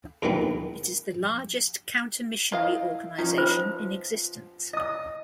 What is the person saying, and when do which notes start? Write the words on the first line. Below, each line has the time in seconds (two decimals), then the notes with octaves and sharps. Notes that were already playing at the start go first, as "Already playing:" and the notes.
It is the largest counter-missionary organization in existence.
0.22 E2 B2 D3 D#3 G#3 B3
2.52 E4 A#4 D#5 F5
3.18 F3 C#4 D#4 A#4
3.38 F4 B4 C5
4.73 D#5 D#6